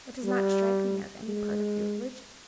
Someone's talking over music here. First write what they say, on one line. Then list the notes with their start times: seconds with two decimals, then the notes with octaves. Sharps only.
That does not strike me as any part of your religion.'
0.23 G3
1.28 G#3